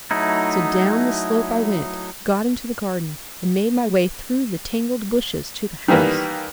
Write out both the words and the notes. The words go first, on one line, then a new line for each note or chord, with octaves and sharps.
So down the slope I went, got into the garden, and made my way through the tangled bushes to the house.
F#3 A3 D#4 E4
D#3 E3 G3 A#3 B3